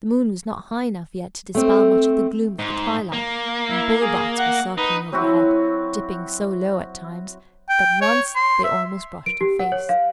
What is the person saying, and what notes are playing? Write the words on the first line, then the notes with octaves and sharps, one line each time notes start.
The moon was not high enough yet to dispel much of the gloom of the twilight, and bullbats were circling overhead, dipping so low at times that once they almost brushed her face.
A3 C4
G#2
A#3
E4
G#4
F#5
D#4 B4
F#3 C4 E4 F#4
G5
C#5
C6
E5
D7
G4
F#5
C#5
F5